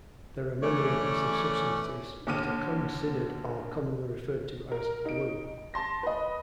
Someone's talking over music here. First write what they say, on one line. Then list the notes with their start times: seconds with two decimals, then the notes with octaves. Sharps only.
There are many adhesive substances that are considered or commonly referred to as "glue".
0.62 E3 A3 C#4 C#5 D5
2.27 D#2 D3 D6 F6 D#7
4.72 A#4
5.05 D#4 D7
5.74 A5 C6 A#6
6.03 B4 D#5